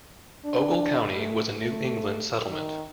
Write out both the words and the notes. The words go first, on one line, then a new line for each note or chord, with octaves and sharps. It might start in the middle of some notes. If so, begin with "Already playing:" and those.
Ogle County was a New England settlement.
D4
A3
A3
D#3